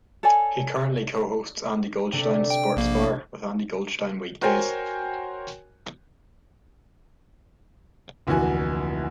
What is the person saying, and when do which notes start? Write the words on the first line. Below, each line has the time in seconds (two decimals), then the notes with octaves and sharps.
He currently co-hosts Andy Goldstein's Sports Bar with Andy Goldstein weekdays.
0.23 A4 C#5 D5 G#5
2.12 C3 A3 D4
2.50 G5
2.76 A#1 A#3
4.42 F#4 A#4 C5 C#5 G5 G#5
8.27 F1 D2 A#2 E3 F#4 G#5